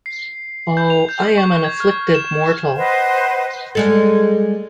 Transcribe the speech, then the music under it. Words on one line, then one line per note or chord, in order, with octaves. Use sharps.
Oh, I am an afflicted mortal.
C7
G6
F7
G6
C#6
G#6
F6
E7
B4 C5 D#5 F#5
G3 G#3 A4